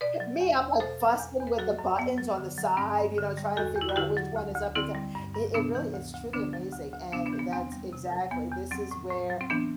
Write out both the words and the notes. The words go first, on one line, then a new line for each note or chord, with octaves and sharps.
Me, I'm like fussing with the buttons on the side, you know, trying to figure out which one is up and down. It it really is truly amazing, and that's exactly this is where
B2 B4 D5
F#3
E2
E2
B2 A4 C5
F#3
E2
E2
B4
F#3 F#4 A4
F#2
F#2 B3
F#3
D3
F#3
G2 C4
G2
D3
G3
E2 F#4 A4
E2
E4
F#4
D3 E4 G4
F#3
D2
D2
D3 C4 E4
G3
G2
G2
C3 B3 D4
E3
D2
D2
D3 B3 D4
F#3
D2
D2
C3 B3 D4
B3 D4
E3
B3
E2 C4
G3
C3
F#3
E2 B3
E2
F#3 C4
A2
A2
F#3
C4
E3 B3 D4